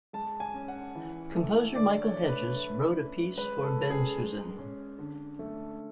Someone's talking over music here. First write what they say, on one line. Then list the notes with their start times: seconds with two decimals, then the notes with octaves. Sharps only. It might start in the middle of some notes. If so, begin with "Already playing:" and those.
Composer Michael Hedges wrote a piece for Bensusan.
0.13 G#3 A5
0.40 G#5
0.54 C#4
0.68 F#5
0.95 E3
1.35 A3
1.75 D3 D5
2.02 C#5
2.15 A3
2.29 B4
2.56 A3
2.97 C#4
3.37 G#3 B4
3.63 A4
3.78 C#4
3.90 G#4
4.17 G#3
4.58 C#4
4.99 D3
5.39 A3